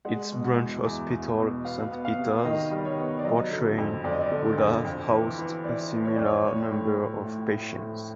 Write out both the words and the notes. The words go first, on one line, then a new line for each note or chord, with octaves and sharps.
Its branch hospital, Saint Ita's, Portrane, would have housed a similar number of patients.
G#3 F#5
B2
F#5
E2
E2
E2
B2
B3 F5
B3
F5
C3
D#3 D#5
G3
C#5
B3
D5
F#3 D#5
D3
F2
F2 D5
D#5
D5
D3
F2
F2
E3
E3
E3 D5
E3
C#5
F2 D5
C#5
A2
A2
A2
A2
A2
A2